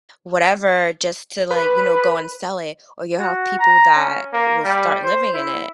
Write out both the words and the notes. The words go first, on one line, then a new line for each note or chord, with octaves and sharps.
whatever, just to, like, you know, go and sell it, or you'll have people that will start living in it,
B4
F#4
A#5
C#4
A#3
G3
C5
E4